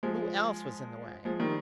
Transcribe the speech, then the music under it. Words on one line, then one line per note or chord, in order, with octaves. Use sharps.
Who else was in the way?
F3 G#3
F3 G#3
D#3 G3